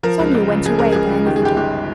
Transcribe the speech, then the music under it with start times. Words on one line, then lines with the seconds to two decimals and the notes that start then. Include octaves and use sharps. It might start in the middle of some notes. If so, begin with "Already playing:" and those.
Sonya went away by another door.
0.03 F3 A#4
0.20 C#2
0.35 C#2
0.50 C#3
0.66 F3 G#4
0.79 C#2 A#4
0.92 C#2 G#4
1.10 C#3
1.26 D#3 G4
1.36 G#4
1.41 G1 G4
1.56 G1 G4